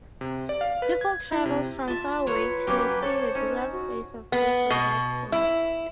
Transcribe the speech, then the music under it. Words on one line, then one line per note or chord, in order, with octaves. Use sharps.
People travelled from far away to see the burial place of this revered saint.
C3
D5
F5
B4
G#6
E4
C3
F4 E5 A5
F#3 B4 C#5 F#5
F#3 A#3 C#4 G4
A4 C5 C#5
C#4 D#4
F#4
B3
B2
E4